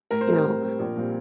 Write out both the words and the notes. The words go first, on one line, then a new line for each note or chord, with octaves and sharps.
you know,
A2 A#4
C5
G3 C4 A#4
A2
G3 C4
A#1
A#2 G3 C4